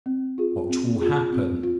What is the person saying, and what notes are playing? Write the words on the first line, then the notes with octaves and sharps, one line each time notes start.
What will happen?
C4
F4 G#4
C4
F4 G#4
C4
F4